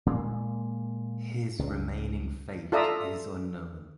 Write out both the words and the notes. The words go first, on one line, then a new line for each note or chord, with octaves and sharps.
His remaining fate is unknown.
A#2 G#3 A#3
C#2
F4 A4 D5 E5 A#5 D#6